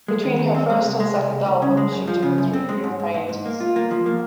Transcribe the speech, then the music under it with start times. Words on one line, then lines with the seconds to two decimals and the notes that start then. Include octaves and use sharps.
Between her first and second albums, she took a three-year hiatus.
0.08 G#3
0.24 D#2
0.39 D#2
0.55 C4
0.70 G#3
0.84 C2
1.00 G#3
1.15 C2
1.31 C2
1.46 C2
1.62 C#3
1.77 G#3
1.92 F#2
2.07 F3
2.23 C#3
2.38 F#2
2.53 C4
2.69 G#3
2.84 G#2
3.00 G#2
3.14 G#2
3.29 G#2
3.45 A#3
3.60 F4
3.76 A#3
3.91 F3
4.06 A#3